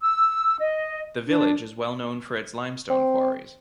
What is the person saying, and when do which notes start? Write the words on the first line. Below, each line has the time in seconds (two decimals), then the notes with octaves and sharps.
The village is well known for its limestone quarries.
0.02 E6
0.60 D#5
1.27 D4
2.90 C4